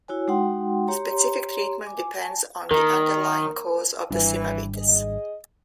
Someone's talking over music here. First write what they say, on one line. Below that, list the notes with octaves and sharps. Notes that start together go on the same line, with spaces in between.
Specific treatment depends on the underlying cause of the synovitis.
E4 F#4 C#5 G#5
G#3 D#4 F#4 F#5 G5 C6
G4 C#5 A#5 C6
G#5 D6
G#5 A5
D#3 A#4
G#1 E3 G3 D4
G#4 D#5